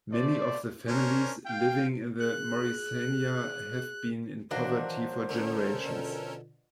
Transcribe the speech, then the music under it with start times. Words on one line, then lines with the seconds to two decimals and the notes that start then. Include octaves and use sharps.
Many of the families living in Morrisania have been in poverty for generations.
0.11 A3 C5 D5
0.87 C#4 D4 A#4 C5 C#5
1.44 F5 G5
2.19 G#4 F#6
4.51 D#3 E3 F#3 A#3 D4 C5
5.29 D3 A3 C#4 A4 A#4
5.85 B2 D3 F3